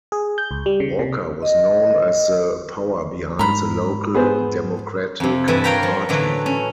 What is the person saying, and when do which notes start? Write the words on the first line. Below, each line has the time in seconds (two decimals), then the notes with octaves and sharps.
Walker was known as the power behind the local Democratic Party.
0.12 G#4
0.38 G6
0.51 C#2
0.66 G3
0.80 C#3
0.99 C3
1.42 D#5
3.39 G#2 A#5 B5
4.14 B3 G#4 C5
5.20 F2 C3
5.48 G2 E3 A4 E5
5.64 A#4 C#5 F5 G5 A#5 B5
5.83 F3
6.09 A2 D3 E3 F#3 A3
6.46 C#4